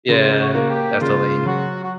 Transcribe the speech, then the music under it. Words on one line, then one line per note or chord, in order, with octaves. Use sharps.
Yeah, definitely.
C#3 F4
F#4
A#3
G4
C#3 F4
F#3 F#4
F#4